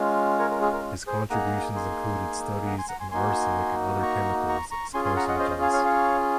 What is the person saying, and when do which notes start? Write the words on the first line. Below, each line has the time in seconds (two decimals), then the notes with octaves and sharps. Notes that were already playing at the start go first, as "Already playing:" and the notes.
His contributions included studies on arsenic and other chemicals as carcinogens.
Already playing: G#3 C#4 F4
0.39 A#4 C#5
0.51 A#4
0.61 G#4
0.73 A#4
1.07 G#4 C5
1.30 A#3 D#4 G#4 F#5 A#5
1.76 G#5 C6
2.66 F#5 A#5
2.78 G#5 C6
2.89 F#5 A#5
3.00 G#5 C6
3.11 A#3 D#4 F#4 G#5 C6
4.02 A#5 C#6
4.49 A#5 C#6
4.71 A#5 C#6
4.94 C#4 F4 G#4 G#5 C6
5.05 G#5 C6
5.16 F#5 A#5
5.29 D#5 F#5
5.39 C5 D#5
5.50 C5 D#5
5.62 F5 G#5
5.73 C#5 F5
5.85 C#5 F5